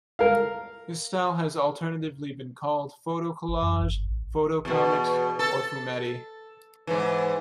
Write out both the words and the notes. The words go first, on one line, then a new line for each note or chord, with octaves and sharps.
This style has alternately been called photocollage, photocomics or fumetti.
A#4 F5
G1
F#2
G1
A1
E2 B2
A4
G#2 E3